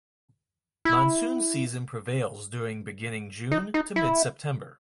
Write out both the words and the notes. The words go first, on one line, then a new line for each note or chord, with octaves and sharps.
Monsoon season prevails during beginning-June to mid-September.
E4
D#4
D#4
E4